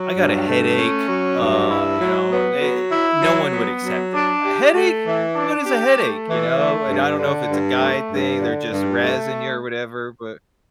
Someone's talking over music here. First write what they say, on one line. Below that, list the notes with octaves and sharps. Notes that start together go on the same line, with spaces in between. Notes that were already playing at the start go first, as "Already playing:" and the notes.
"I got a headache,” uh, you know, they, uh no one would accept it, “A headache? What is a headache?” You know? And I don't know if it's a guy thing. They're just razzing you or whatever, but
Already playing: F#3
G2
A3
C#4
F#3
G2
E4
F#3
B3
F#3
E4
F#3
B3
F#3
D4
G4
A3
E3
D4
G4
A3
E3
A3
G2
D3
G2
A3
G2
D3
G2
A3